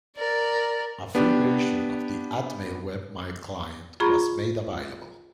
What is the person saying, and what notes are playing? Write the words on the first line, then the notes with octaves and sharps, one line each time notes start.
A free version of the atmail webmail client was made available.
A#4 D5
B3 D4 G4
F4 G#4 A#5 B5 C#6